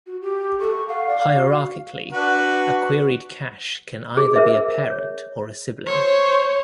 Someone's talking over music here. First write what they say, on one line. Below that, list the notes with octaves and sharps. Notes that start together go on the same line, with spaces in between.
Hierarchically, a queried cache can either be a parent or a sibling.
F#4
G4
A4 C#6
F5 F#5
D5
F#4
D4 F#4 B4
G#4
A#4 C5 E5
C#5
C5 C#5